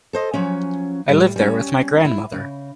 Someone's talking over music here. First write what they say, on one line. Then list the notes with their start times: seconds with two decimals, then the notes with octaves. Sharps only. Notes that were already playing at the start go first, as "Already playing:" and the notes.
I live there with my grandmother.
0.13 A4 C5 D#5
0.34 F3 F#3 C#4
1.08 A2 G3
1.36 G3 C#4
2.05 E4
2.32 C#3